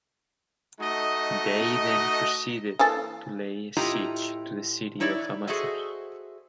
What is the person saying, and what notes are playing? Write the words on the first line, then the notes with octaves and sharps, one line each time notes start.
They then proceeded to lay siege to the city of Amathus.
A3 D#4 F#4 D#5
E3 A#3 A4
A2 E4 F4 G4 D#5 A#5
D#4 E4 C#5 D5 E5
F#4 G#4 A4 C5 D#5 E5